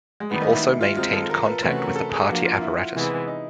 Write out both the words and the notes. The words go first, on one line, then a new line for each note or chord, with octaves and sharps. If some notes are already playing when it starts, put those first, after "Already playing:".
He also maintained contact with the party apparatus.
G#3
D#3 G3 A3 B3
D#4
E4
E4
F4
D#3 G#3 C4 D#4 F4
A4
A#4
B4
C3 E3 A3 C#4 F#4 B4
A#4
A4
G#4
F3 A#3 D4 F#4
F4
E4
C3 E3 G#3 B3
D#4